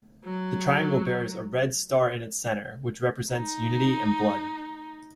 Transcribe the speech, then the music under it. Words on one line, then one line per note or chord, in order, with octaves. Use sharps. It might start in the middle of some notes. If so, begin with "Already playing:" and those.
The triangle bears a red star in its centre, which represents unity and blood.
F#3
D#4